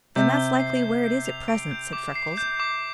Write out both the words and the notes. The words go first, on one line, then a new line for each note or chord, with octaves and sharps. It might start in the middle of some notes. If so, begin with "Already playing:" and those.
"Then that's likely where it is at present," said Freckles.
C3 G6
G7
C7
G6
G6
F7
D7
G6
D6
C7
G6
D6